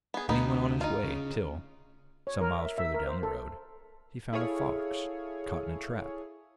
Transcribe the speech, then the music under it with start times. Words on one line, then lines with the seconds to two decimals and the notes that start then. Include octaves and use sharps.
Then he went on his way till, some miles further down the road, he found a fox caught in a trap.
0.14 B3 G#4
0.29 D2 B3 D#4 B4
0.81 D#4 F4
1.04 C#3
2.27 C#5
2.41 A#4
2.59 E5
2.78 E5
2.94 A#4
3.07 C5
3.23 A4
4.33 E4 G#4 A4 C#5 F5